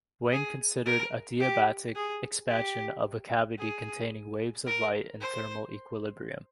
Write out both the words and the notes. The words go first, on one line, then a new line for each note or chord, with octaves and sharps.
Wien considered adiabatic expansion of a cavity containing waves of light in thermal equilibrium.
G#4
A#4
G4
G#4
G4
G#4
A#4
C5